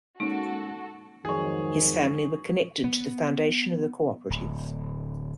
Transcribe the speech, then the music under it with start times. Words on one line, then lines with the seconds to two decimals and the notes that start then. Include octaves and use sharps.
His family were connected to the foundation of the co-operative.
0.20 G#3 A#3 C#4 D#4 F#4 A4
1.25 F2 G#2 D#3 F#3 G#4 C#5
2.84 B3
4.30 D1